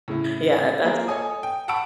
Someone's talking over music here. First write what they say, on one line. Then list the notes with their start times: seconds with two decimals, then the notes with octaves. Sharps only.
yeah, that's
0.08 A2 C#3 E4
0.84 A#3 F4 G#4 A#4
1.08 A4 C#5 D#5 G#5 D#6
1.43 G5
1.68 F#5 A5 B5 C#6 E6 D7